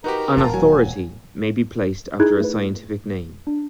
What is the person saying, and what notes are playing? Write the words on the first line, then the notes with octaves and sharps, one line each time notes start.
An "authority" may be placed after a scientific name.
D#4 F#4 G4 A#4 B4
E1 A#2 F4 A5 A#5
F#3 G#5
D#4 E4 G#4 F#6 G#6
A3 B4
D4